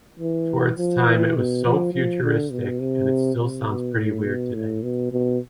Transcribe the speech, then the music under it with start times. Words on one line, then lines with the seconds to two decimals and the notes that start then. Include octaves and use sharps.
For its time it was so futuristic and it still sounds pretty weird today.
0.19 E3
0.78 F3
1.06 E3
1.36 B2
1.64 F3
1.94 F3
2.23 D3
2.51 B2
2.80 C3
3.39 C3
3.68 B2
3.96 A2
4.25 B2
4.54 A2
4.83 B2
5.12 B2